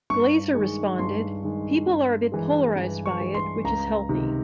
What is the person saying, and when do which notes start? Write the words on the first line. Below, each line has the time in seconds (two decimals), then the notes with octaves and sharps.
Glazer responded, "People are a bit polarised by it, which is healthy".
0.10 G2 C#6
0.54 D#3 G#3
0.99 G2 C6
1.43 D#3 G#3
1.87 G2
2.32 E3 G#3
2.76 G2
3.06 C#6
3.20 E3 G#3
3.35 C6
3.64 C#2 A#5
4.09 C3 D#3